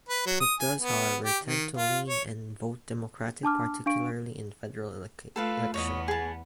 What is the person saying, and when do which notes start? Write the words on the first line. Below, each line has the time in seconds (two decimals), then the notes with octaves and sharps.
It does however, tend to lean and vote Democratic particularly in federal elections.
0.09 B4
0.26 F#3
0.40 D#6
0.60 G#5
0.80 B3
1.24 G4
1.45 D#3
1.77 F4
2.08 C#5
3.43 D4 A5 D6 F6
3.86 D4 F5 C#6 D7
5.36 A3 F4 A4 B4 F5
5.74 E2 B3 C#5 D#5
6.08 G#4 A5